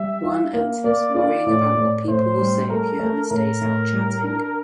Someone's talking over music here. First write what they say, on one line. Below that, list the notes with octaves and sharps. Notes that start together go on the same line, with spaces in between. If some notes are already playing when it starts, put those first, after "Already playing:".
Juan enters, worrying about what people will say if Yerma stays out chatting.
Already playing: G3 E5
F4
A#3
A#3 D5
F4 D5
A2
A2
A2 C5
G3
A3 A#4
A3
A2 A#4
A2
G3
D4